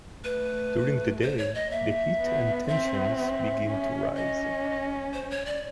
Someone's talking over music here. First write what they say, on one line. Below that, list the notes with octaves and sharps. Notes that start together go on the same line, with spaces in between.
During the day, the heat and tensions begin to rise.
A3 B4
C5
C#5
D#5
A#3 E5
B3
C4 E5
E5
C#4
C#4 D#5
C5
C#5
D5